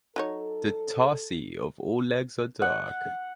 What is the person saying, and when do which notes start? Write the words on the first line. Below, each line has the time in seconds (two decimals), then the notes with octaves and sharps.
The tarsi of all legs are dark.
0.16 F#3 D#4 A4 C#5
2.62 F#5